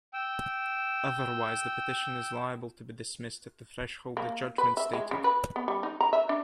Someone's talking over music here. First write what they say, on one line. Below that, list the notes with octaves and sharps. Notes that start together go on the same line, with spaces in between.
Otherwise the petition is liable to be dismissed at the threshold, the judgment stated.
G5 E6
A#3
B4
E5
G#3
C#3
B4
B3
G3
D#4
A#5
E5
D4